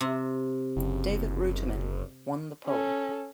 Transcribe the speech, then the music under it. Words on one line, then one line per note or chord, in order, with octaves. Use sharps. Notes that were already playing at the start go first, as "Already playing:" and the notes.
David Reutimann won the pole.
C3
F#1
C#4 A4